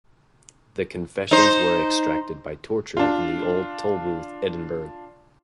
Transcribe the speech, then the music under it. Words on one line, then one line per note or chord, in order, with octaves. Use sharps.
The confessions were extracted by torture in the Old Tolbooth, Edinburgh.
D#4 C5
D4 F4